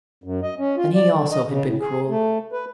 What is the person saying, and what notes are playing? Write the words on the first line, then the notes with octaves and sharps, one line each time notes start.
And he also had been cruel.
F#2
D#5
C#4
F4
D5
D3
D#5
C#3
A2
G#4
A3
B4